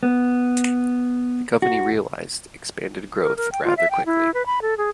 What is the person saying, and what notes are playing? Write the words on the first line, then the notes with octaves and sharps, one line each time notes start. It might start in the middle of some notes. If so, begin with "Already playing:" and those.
The company realized expanded growth rather quickly.
B3
F#4
A#4
A#4
G5
F4
E5
G5
E4
B4
B5
A4
G#4